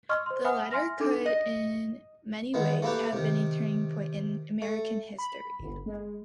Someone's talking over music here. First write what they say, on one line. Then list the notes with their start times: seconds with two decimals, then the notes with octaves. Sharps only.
The letter could in many ways have been a turning point in American history.
0.09 D#5 C6 C#6 E6 F6
0.26 C5 C6
0.44 E5 F#5 G#5 B5 D#6 F6
0.71 E5 G#5 C6 F6 A#6
1.00 D4 D#4 A4 D6
1.26 D#5
2.54 D#3 E3 G#3 B3
2.82 A3 A#3 E4 G4 B4
3.13 C3 D#3
4.62 A3
5.18 B5
5.59 G1
5.86 G#3